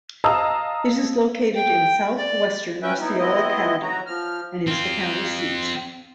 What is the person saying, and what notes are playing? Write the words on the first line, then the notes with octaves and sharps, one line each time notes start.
It is located in southwestern Osceola County and is the county seat.
D#5 F5 A5 A#5 D#6 E6
G5
D5
C#4 B4 E5 G5
B3 D#4 E4
B3 C4 E4 D#5
F#3 F#4 A#5
F3 F6
C4 F4